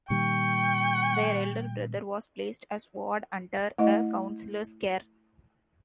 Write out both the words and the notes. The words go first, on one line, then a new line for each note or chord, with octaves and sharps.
Their elder brother was placed as ward under a Councillor's care.
A#2 D#3 G3 G5 C#6
A3 E4 D#5